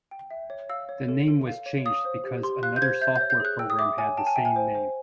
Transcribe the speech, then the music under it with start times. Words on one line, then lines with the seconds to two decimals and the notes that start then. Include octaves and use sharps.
The name was changed because another software program had the same name.
0.11 G5
0.31 E5
0.50 C#5
0.69 F5 E6
0.89 C#5
1.08 A4
1.28 A4
1.47 F5
1.66 C#5
1.85 F5 D#6
2.05 C5
2.24 G4
2.43 G4 C6
2.63 F5 F#6
2.76 G6
2.81 C5 G#6
3.01 E5 G6
3.16 G6
3.21 C#5
3.30 G6
3.40 G#4 F#6
3.59 G5 E6
3.70 D#6
3.79 E5 D6
3.98 C#5 G#5
4.17 G5 A5
4.27 G#5
4.36 E5 G5
4.45 G#5
4.56 C5
4.75 C5